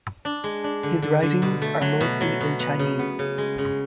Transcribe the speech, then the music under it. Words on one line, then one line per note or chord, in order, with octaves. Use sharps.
His writings are mostly in Chinese.
D4
G#3
D4
D3
D3
D3
B2
A3
F#3
B2
F#3
B2
B3
C#3
B3
C#3
G#3
C#3